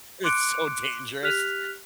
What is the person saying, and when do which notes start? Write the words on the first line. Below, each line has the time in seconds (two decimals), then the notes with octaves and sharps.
It's so dangerous.
0.24 C6 D6 F#6 C#7 D7
1.23 G4 F6 F#6 B6 F7